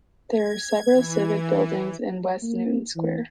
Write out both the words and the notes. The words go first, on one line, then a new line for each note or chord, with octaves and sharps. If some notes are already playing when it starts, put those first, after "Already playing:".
There are several civic buildings in West Newton Square.
G#6
E3
A#3
E3